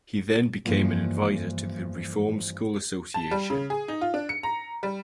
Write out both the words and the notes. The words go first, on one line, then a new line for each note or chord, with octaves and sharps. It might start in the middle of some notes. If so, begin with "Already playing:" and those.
He then became an advisor to the Reformed School Association.
G2 B2 E3 F3 A#3
A5
G3
C#3
G#4
D#4
F4
D4
C#7
A#5
G3